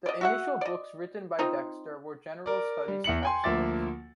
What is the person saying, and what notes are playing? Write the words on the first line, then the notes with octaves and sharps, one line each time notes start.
The initial books written by Dexter were general studies text books.
D5 D#5
F#4 E5 F#5
D5 D#5
C4 D#4 F4
A#4 D5
G3
E2 E4 C#7 F#7
G5 G#5 C6
D2 F3 A#3 E5 D6 A6